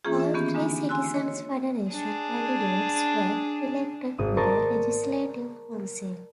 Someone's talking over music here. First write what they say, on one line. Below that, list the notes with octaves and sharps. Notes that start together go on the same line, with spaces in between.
All three Citizen's Federation candidates were elected to the Legislative Council.
E3 A3 A#3 C#4 F4 G#4
E5
D#3 A#3 B3 C#4 G4
D3 G#3 A#3 D4 D#4
G#5 C6 E6 F#6
C#5 D#5
D4 G#4
G#1 D#6
A#4 C5 D5 A5 C#6 D#6